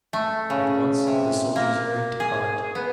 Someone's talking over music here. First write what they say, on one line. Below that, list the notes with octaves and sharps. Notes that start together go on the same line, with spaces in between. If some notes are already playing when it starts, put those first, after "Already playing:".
At once the soldiers hurried to quell it.
A3
C#3
C3
A#3
G#4
B3